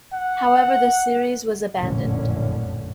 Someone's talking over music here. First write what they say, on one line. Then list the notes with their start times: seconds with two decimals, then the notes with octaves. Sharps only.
However, the series was abandoned.
0.13 F#5
1.76 F1 A#1 F#2 A2 D3 C#4